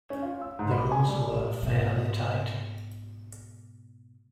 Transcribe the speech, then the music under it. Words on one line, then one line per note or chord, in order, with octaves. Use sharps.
The rules were fairly tight.
C#4
F4
E6
G#2
B5
G#5
G3
G#2 B2